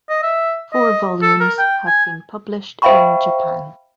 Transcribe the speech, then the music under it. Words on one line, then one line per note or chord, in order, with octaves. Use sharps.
Four volumes have been published in Japan.
D#5
E5
D#5
A4
A#4
G5
G#5
C5 E5 F5 G5 B5 C#6